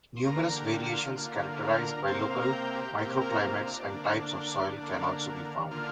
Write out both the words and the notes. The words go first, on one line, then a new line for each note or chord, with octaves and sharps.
Numerous variations characterised by local microclimates and types of soil can also be found.
C6
D3 A#3 A#5
G4
F4
D3 A#3
F4
F4
A#4
C3 A#3 C5
F5
A#5
G5
G4
C3 A#3 G4
A#4
F4
D4
D3 A#3
D3 A#3
D3 A#3 F4